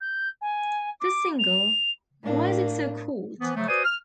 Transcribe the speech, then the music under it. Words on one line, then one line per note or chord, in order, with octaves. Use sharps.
The single Why's It So Cold?
G6
G#5
D6
F7
A2 A#3 D4
E3 F3 B3
C#3 F3 F#3 A3
F#4 B4 C5 D5 G#5 D#6
F6